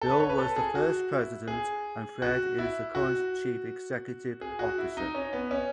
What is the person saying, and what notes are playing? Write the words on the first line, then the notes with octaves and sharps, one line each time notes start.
Bill was the first president and Fred is the current chief executive officer.
A4
B4
C#5
B4
A4
G#4
F#4
E4
G#4
F#4
E4
F#4
G#4
F#4
E4
D#4
C#4
B3
C#4